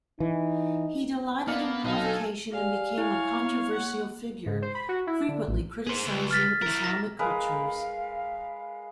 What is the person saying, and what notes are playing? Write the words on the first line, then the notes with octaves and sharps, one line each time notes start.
He delighted in provocation and became a controversial figure, frequently criticizing Islamic cultures.
E3 D#4
A#3 B3 D5 F5 F6
B1 F#3 D#4 A4 F5 G#5
G4 D5 F5 G#5
E4 C#5 G#5
B3
A#3 F#5
G#2
C5
B5
F#4
E4
D3
A1
G#4 C5
C#2
F6 A6 B6
E4 A#4
A#5 A#6
G#3 A#4 B4 F5